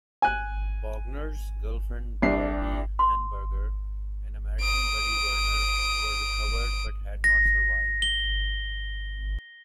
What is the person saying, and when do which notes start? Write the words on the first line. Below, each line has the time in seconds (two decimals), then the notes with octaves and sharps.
Bogner's girlfriend Barbi Henneberger and American Buddy Werner were recovered but had not survived.
0.22 G#5 F#6
2.22 C2 D4 C7
2.99 C6
4.61 D#6 D7
7.24 A#6
8.02 G7